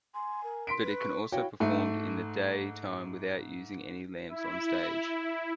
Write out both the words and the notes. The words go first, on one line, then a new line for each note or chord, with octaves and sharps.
But it can also performed in day time without using any lamps on stage.
G#5 C6
A#4
C6 B6 D7
B4
C#6
E4 F#4 C#5 F5 G5
G#2 A3
E4